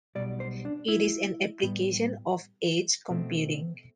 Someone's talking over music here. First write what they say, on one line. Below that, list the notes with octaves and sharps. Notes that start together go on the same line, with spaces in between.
It is an application of edge computing.
B1 B2 G3 D5
C5
D4
E4
A2 G3 B3
B2 A3 C4